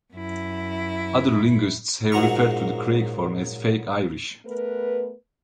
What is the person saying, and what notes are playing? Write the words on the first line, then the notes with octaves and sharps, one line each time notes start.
Other linguists have referred to the "craic" form as "fake Irish".
F#2 E4
A#1 G#2 F#3 A#5 C#6
A3 B3 A#4 B4